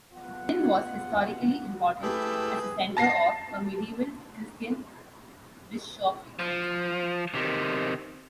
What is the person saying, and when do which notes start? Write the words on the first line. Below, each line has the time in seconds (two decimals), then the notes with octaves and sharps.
Nin was historically important as a centre of a medieval Christian Bishopric.
0.13 B3 F4 F#5
2.03 A3 E4 G4 G#4 B4
2.97 A5 A#6 C7
6.39 F3
7.35 C3 D#3